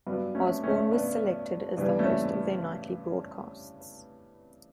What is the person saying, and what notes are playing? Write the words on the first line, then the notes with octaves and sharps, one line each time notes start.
Osborne was selected as the host of their nightly broadcasts.
G2 F#3 B3
A3 C#4
A3 C#4
B3 D4
G2 E3 G3 B3 D4
A3 C#4
A3